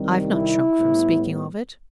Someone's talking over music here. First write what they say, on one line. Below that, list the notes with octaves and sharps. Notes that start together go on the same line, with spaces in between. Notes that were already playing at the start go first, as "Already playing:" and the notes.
"I've not shrunk from speaking of it."
Already playing: C2 C3 D#3 G3
E4
A2 G3 B3